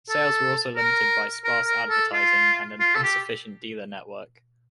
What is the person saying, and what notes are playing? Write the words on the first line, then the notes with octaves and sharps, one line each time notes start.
Sales were also limited by sparse advertising and an insufficient dealer network.
A4
A#4
A#4
A#4
A4
F4
F4
A4
G4